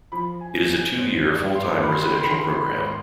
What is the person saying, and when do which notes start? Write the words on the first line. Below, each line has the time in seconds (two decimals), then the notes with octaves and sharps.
It is a two-year, full-time residential programme.
0.12 F3 B5
0.41 G#5
0.54 F3
0.70 G#5
0.97 G2 C5
1.27 D5
1.40 G2
1.55 C6
1.63 D6
1.71 C6
1.83 D#3 B5
1.92 C6
2.02 B5
2.12 C6
2.20 B5
2.26 D#3 C6
2.39 B5
2.49 C6
2.57 B5
2.67 G#2 C6
2.77 B5
2.86 C6